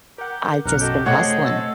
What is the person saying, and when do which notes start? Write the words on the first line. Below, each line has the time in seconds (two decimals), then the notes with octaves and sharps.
I've just been hustling
0.18 G4 A#4 F#5
0.65 B1 F#2 F#5 A#5 F6
0.80 F#4 G4 A4 D#5
1.06 C3 A3 C4 G#4 C5 C#5 D#5 F#5
1.44 A4